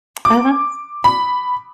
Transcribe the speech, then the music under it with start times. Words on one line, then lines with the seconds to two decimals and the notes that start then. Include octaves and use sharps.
Oh, that's
0.25 D6
1.04 B5